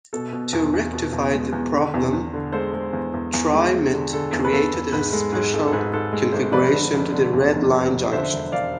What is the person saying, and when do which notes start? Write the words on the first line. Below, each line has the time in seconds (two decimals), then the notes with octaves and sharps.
To rectify the problem, TriMet created a special configuration to the Red Line junction.
0.13 B2 A4
0.33 B2
0.53 E2
0.74 E2
0.94 B2
1.13 E2
1.33 G#3
1.53 E2
1.74 D3
1.94 E2
2.13 E2
2.33 D3
2.52 G#3 A4 C5
2.73 G#3
2.93 E2
3.14 E2
3.33 E2
3.53 G#3
3.73 G#3
3.93 D3
4.13 D3 A4
4.33 E2
4.45 B4
4.52 E2 A4
4.73 E2
4.92 G#2 G#4 B4
5.13 G#3 A4
5.32 G#2 G#4
5.53 G#1 A4
5.68 A4
5.72 G#2 G#4 B4
5.93 G#2 A4
6.13 G#3
6.33 G#1 A4 C5
6.52 F1 B4 D5
6.73 D3
6.93 F1
7.12 D3
7.33 E2
7.53 F1
7.72 F1
7.93 F1
8.12 D3 C5 E5
8.33 E1
8.52 E1 D5 F5